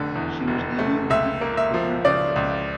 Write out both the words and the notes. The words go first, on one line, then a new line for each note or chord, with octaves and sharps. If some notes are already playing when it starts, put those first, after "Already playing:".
She was the only woman in the program at the time.
Already playing: F1 D3 A3
E2
F1
A3
C#2 E5
A#3
E5
F3
C#3 D5
C#2